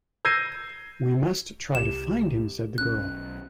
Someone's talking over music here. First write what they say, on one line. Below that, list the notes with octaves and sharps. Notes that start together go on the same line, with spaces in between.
"We must try to find him," said the girl.
E6 G6 G#6 A#6 C7 D#7
C2 G4 E7
B1 C#4 F#6